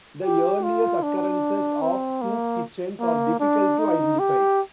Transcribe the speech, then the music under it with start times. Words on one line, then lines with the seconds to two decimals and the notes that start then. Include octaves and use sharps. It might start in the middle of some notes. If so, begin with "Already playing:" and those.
The earliest occurrences of soup kitchens are difficult to identify.
0.24 G4
0.63 F4
1.03 D4
1.82 C4
2.22 A#3
3.00 A#3
3.40 D4
3.79 D#4
4.19 G4